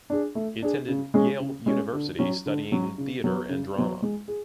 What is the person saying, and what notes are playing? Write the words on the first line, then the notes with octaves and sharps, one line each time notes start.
He attended Yale University, studying theatre and drama.
D4 G#4
A3
D4 G#4
C#3
G#3 C#4 G#4
C#3
G#3 C#4 G#4
D3
F#3 C#4
D3
F#3 C#4
C#3
F#3 B3
C#3
F#3 B3
G#3
G#4